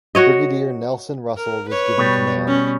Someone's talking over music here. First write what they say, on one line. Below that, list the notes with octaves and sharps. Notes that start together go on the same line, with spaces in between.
Brigadier Nelson Russell was given command.
F#4 C#5 D#5
A#4
B4 C#5
B2 G3
C#4